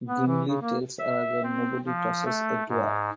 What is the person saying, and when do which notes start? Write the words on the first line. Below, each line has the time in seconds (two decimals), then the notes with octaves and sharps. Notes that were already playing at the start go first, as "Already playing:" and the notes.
Gimli tells Aragorn, Nobody tosses a dwarf!
0.05 B3
0.26 E3
0.48 C#3
0.62 A#3
0.99 E5
1.43 C4
1.86 F3
2.25 A3
2.69 G#2